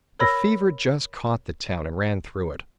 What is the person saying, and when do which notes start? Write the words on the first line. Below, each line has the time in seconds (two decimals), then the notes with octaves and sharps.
The fever just caught the town and ran through it!
0.19 A#4 C#5 B5 E6 A#6